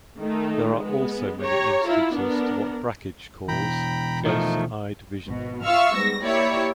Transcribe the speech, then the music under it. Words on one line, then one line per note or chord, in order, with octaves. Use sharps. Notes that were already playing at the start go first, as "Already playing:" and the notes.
There are also many instances to what Brakhage calls "close-eyed vision".
D#3 A3 D#4
G#3 B3
G4 C#5 A#5
E4 F4
B3 D4 A#4
B2 E3 G5 A#5 B5
D#3 F3 A3 D#4
G#1 B2
F4 E5 F5 C#6 E6 F6
G#2 G3 B3 A#6
A#3 E4 G4 C#5 D5 E5